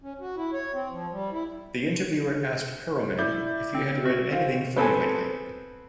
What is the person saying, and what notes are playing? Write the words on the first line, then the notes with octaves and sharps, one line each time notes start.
The interviewer asked Perelman if he had read anything funny lately.
C#4
F#4
E4
C#5
C4
F3
G3
E4
E4 D5 G6
C4
F#4
C4 F5
B3 C4 A4 C5 G#5